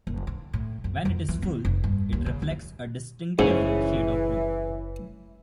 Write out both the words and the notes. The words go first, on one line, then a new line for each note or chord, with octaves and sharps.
When it is full, it reflects a distinctive shade of blue.
F#1
D3
A2
F#2
F2
E3
C4
F1
G2
D#2
C#3
D#2
F#1 G#2 E3 C#4 G#4